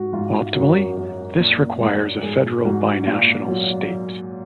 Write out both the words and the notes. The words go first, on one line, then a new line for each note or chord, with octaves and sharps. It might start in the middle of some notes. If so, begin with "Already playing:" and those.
Optimally this requires a federal binational state.
Already playing: G#2 F#4
G#2 F4
F4
F#2 F#4
F#2
A#2
G#3
G#2 G#4
G#2 F#4
A#2 F4
F#3